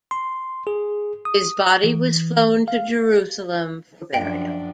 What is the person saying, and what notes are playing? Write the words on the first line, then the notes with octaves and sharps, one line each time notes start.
His body was flown to Jerusalem for burial.
C6
G#4
D#6
E3
F5
F#2 F3 D4 G5